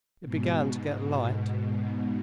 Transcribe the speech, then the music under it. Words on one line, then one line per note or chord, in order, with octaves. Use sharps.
It began to get light.
G#2 B2